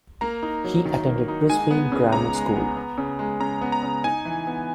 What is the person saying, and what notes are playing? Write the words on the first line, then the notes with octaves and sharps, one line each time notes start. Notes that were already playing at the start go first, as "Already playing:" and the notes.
He attended Brisbane Grammar School.
A#3 A#5
D#4
F#3
D#3
A#3
D#4
G#3 G#5
B3
C#3
C#2 A#5
G#3
B3
B3
C#3
G#3
C#3 A#5
B3
A#5
C#3
D#4 G#5
E3
B3